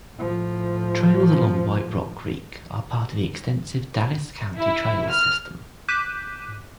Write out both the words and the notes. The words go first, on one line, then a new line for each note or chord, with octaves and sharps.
Trails along White Rock Creek are part of the extensive Dallas County Trails System.
A2 F3
E4
F6
D6 F#6 G6 B6 D#7 E7